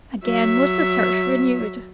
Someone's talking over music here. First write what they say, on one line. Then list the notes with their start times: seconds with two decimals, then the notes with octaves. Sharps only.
Again was the search renewed.
0.25 F#3 E5